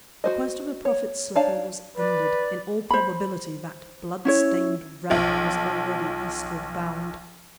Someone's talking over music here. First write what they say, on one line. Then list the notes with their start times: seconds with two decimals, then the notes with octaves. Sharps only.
The quest of the Prophet's slipper was ended; in all probability that blood-stained relic was already Eastward bound.
0.24 F#4 C5 D#5
0.85 C#5
1.35 D4 D#4 C#5 F5 A5
1.97 B4 D5
2.91 C5 B5
4.25 C#4 E4 C#5
5.10 B1 F3